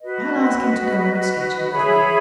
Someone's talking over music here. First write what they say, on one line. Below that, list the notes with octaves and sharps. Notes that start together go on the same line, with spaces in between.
'I'll ask him to go out sketching with me.
F#4 B4 D#5
G#4 C#5 E5 B5